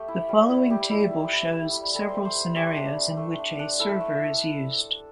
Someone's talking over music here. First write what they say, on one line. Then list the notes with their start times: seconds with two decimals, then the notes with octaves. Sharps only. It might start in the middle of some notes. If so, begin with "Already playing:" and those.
The following table shows several scenarios in which a server is used.
Already playing: A3 G4
0.08 E4
0.28 G3
0.49 E4
0.70 G3 G4
0.91 E4
1.11 E4
1.33 E4
1.52 E4
1.73 G3
1.94 G3 A4
2.09 C5
2.14 G3
2.25 C5
2.35 G3
2.40 C5
2.55 A3 G4
2.77 D4
2.97 A3
3.17 A3
3.38 D4
3.59 D4
3.80 E4 A4
4.00 A3